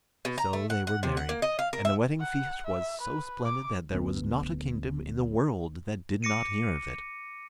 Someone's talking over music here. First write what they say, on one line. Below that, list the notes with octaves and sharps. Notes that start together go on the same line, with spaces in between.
So they were married, and the wedding feast was so splendid that there was not a kingdom in the world that did not hear of it.
B2
A#5
A3
F#5
F#5
C3
F#5
A#3
D#5
F5
A#4
E5
F#5
E5
B4
D6
D1 D2 B3
D6 A#6 C#7 D#7